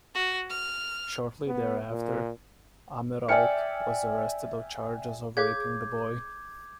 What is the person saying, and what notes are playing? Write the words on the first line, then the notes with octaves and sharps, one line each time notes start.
Shortly thereafter, Amirault was arrested on charges of raping the boy.
F#4
F6
B3
A#2
D5 E5 G5 G#5 F6 C#7
G#4 C#5 F5 D6 G6 G#6